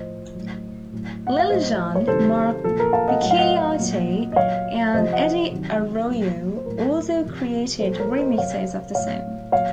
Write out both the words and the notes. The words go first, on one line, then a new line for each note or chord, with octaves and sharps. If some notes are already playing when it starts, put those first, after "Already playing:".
Lil Jon, Mark Picchiotti, and Eddie Arroyo also created remixes of the song.
Already playing: A2 F3 C5 D#5
A2 F#3
A2 F#3
F#5
F5
A2 F#3 C5 D#5
C#5
C3 D#3 F#3 A4 C5
A#2 F3 A4
A#4
F5 A5
D#5 F#5
A2 F#3 F#5
F5
D#5 F#5
A#2 F#3
D#5
A#2 F#3 C#5 F5
C3 F3 C5 D#5
D#5 F#5
C3 D#3 F#3
A#2 F#3
C5
A2 F#3 A#4
C3 F3
A#2 F3 A4 C5
A#4 C#5
C5 D#5
C3 F#3 C#5 F5
A2 F#3 C#5 F5
A#2 F#3 C#5 F5